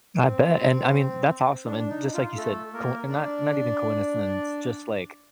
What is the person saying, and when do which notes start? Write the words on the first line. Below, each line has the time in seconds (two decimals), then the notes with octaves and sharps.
I bet. And, I mean, that's awesome. And just like you said, coin not not even coincidence, just, like,
0.22 C4
1.66 D4
1.78 D4
1.90 D#4
2.14 F4
2.37 A3 A4
2.73 A#3 A#4
3.09 D4 D5